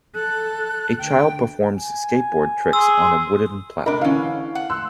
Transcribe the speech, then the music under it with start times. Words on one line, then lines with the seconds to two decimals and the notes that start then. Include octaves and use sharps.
A child performs skateboard tricks on a wooden platform.
0.14 A4 F#6
0.98 D2 G5
1.76 G#5
2.73 G#4 C6 E6
3.86 C3 D4 A#4 D#5 B5
4.01 D3 E3 C#4 F5
4.55 F#5
4.70 C6 E6 F#6